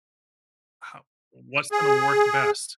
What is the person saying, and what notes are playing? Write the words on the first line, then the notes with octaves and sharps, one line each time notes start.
How what's gonna work best?
G#4